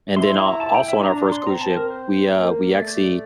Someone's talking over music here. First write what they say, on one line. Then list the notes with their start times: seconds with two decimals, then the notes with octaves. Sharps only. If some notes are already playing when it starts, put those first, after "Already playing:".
and then a also on our first cruise ship, we, uh, we actually,
0.16 E4 C6
0.31 C6
0.45 A#5
0.60 A5
0.74 G5
0.88 E5
1.03 D4 A#5
1.18 A#5
1.32 C6
1.47 C4 A#5
1.61 A5
1.76 A#4
1.90 C5
2.34 A#3
2.77 A3 D5